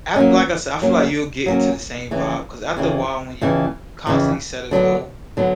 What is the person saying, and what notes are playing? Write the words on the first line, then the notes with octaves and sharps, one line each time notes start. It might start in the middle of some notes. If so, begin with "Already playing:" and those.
ac Like I said, I feel like you'll get into the same vibe, ‘cause after a while, when you constantly set a goal
F#3 A#3 C#4
F#3 A#3 C#4
F#3 A#3 C#4
F2 C#3 E3
F2 C#3 E3
F2 C#3 E3
F2 C#3 E3
D3 F#3 B3 D4
D3 F#3 B3